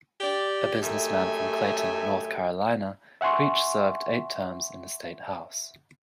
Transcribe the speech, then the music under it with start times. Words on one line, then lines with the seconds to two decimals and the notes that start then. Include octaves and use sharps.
A businessman from Clayton, North Carolina, Creech served eight terms in the state House.
0.21 G4 D5
0.82 F#2 A3 D#4 G4 E5 G#5
3.21 E5 F#5 G#5 C6 C#6